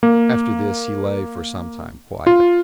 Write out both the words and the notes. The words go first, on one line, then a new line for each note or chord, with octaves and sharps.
After this, he lay for some time quiet.
A#3
F4